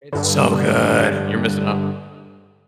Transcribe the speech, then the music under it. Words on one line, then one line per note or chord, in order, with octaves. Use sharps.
It's so good. You're missing out.
G2 D3